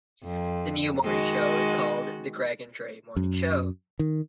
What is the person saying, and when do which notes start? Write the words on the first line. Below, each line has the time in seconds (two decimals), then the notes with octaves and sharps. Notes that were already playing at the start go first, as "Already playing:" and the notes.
The new morning show is called the "Greg and Dre Morning Show".
0.24 F2
1.04 D#3 G#3 F#4
3.17 F#2
3.99 D#3